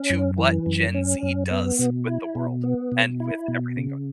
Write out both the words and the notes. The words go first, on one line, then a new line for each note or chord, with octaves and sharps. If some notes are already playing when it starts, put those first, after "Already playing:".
to what Gen Z does with the world and with everything going
Already playing: C#4
F#2
E3
F#2
C#4
F#2
B3
B2
E4
B2
B3
B2
E4
B2
C#3